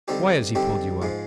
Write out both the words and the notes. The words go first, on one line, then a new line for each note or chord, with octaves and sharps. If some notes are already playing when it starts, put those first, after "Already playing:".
Why has he pulled you up?
D3 G3 C4 D#4 G4
D3 G3 C4 D#4 G4
G#2 F3 G#3